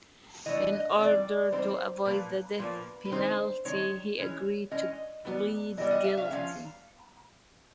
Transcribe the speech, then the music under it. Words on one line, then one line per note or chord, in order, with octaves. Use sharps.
In order to avoid the death penalty, he agreed to plead guilty.
E3 A3 D4 D#5
D#5
E3 G3 C4 D#4 D5
E3 G3 C4 D#4 C5
A#2 F3 A#3 B4
A#2 F3 A#3
B4
D#3 G#3 C4 D#4 C5
D#3 G#3 C4 D#4 C#5
E3 G#3 C#4
E3 G#3 C#4 D#5
E3 G3 B3
E3 G3 B3 D#5
D#5
E5
F5
E5
F3 G#3 C#4 F5